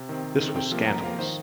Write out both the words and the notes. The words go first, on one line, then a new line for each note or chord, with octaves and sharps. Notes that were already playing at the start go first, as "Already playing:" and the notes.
This was scandalous.
Already playing: C3
D#3 C4
C3
D#3 C4
C3 G5
F3 A#3
C3 A#5
F3 A#3 F5
D#3 C5